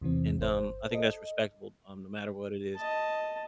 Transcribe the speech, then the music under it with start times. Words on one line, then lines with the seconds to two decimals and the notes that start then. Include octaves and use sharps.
and, um, I think that's respectable, um, no matter what it is.
0.01 E2 C3 E3 C4
0.38 G1 C5
0.91 A4 D#5
2.76 D#5 A5